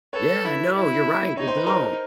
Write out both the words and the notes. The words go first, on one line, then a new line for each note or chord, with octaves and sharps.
Yeah, no, you're right, they don't.
A4 B4 C#5
E4
E4
D#4 C#5
C5
B4
A#4 C5